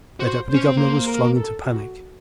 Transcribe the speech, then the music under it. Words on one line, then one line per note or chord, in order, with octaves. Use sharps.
The Deputy-Governor was flung into panic.
F#4 C5
C5
C#4
C4
A#3 C5
A#4
A4
F#4